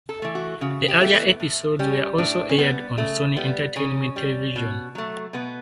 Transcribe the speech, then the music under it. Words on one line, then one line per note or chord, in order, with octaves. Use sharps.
The earlier episodes were also aired on Sony Entertainment Television.
A4
E3 A3
F#4
C#3 F#4
G4
E3 A3
B3
A2
G3 C#4
A2 D4
C#4
G3 B3
C#3 A3
G3 B3
C#3 C#4
G3
B2
F#3 A3
B2 B3